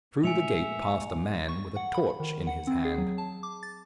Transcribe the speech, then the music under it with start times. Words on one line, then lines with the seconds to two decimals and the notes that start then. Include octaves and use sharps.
Through the gate passed a man with a torch in his hand.
0.23 A#2 G#3 A3 E5 G#5 C#7 F7
1.49 C#6
1.76 F#5
1.94 B5
2.20 D#3
2.47 F#5
2.67 C4
2.85 G#4
2.98 F#3
3.18 A5
3.43 D6
3.63 A6